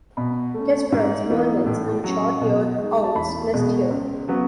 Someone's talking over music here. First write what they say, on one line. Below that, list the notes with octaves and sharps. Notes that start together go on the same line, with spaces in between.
Kestrels, merlins and short-eared owls nest here.
B2 B5
A3 C#4
G#2
E3 B3 D#4
A2
F#3 C#4
B2
G#3 D#4
A5
E2 B5
B2 G#3
C#2
C#3 F#3 B3